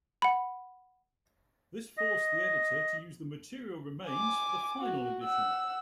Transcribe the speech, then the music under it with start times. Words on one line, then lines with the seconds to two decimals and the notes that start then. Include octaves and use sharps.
This forced the editor to use the material remains for the final edition.
0.22 F#5 B5
1.97 D#5
4.09 G#5 D6
4.80 F#4
5.24 F#5 E6